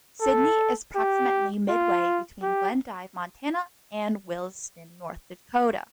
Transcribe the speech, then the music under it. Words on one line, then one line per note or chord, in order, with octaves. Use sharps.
Sidney is approximately midway between Glendive, Montana and Williston, North Dakota.
A4
G4
F4
G4